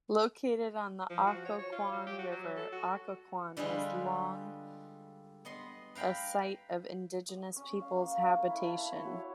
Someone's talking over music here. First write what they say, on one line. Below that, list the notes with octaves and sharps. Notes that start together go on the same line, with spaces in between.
Located on the Occoquan River, Occoquan was long a site of indigenous peoples' habitation.
F3
F#4
C#5
C#5
F4
F#3
G4
F#4
F#3
A4
F#4
D3 G3 G#3 F4 G#4 B4
B3 D#5 C6
B4 F5 G5 A#5 B5
D#6
C#4
F5
A#3
A#3
A#4
E4
A5
E4
C#5
F#4
C#5